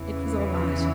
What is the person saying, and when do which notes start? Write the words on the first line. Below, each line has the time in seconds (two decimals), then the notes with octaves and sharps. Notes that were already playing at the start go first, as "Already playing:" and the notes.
"It was all right."
Already playing: E2 C#3 E3